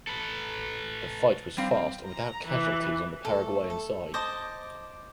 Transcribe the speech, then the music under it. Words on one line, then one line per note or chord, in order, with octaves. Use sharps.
The fight was fast and without casualties on the Paraguayan side.
A4 B4
G3 C4 F5
A#5
E3
A3 A4
A4
C5 D#5 A5 D6